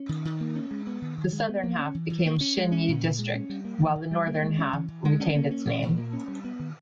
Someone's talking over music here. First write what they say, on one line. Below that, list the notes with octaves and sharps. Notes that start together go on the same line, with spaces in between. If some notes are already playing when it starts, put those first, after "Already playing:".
The southern half became Xinyi District while the northern half retained its name.
Already playing: C#4
D#3
D#3
A#3
C#4
G#3
B3
D#3
D#3
G#3
B3
A#3
C#4
E3
E3
A#3
C#4
G#3
C#4
A#2
A#2
G#3
C#4
G3
A#3
E3
E3
G3
A#3
G#3
C#4
E3
E3
G#3
C#4
A#3
C#4
A#2
A#2
A#3
C#4
G3
B3
D#3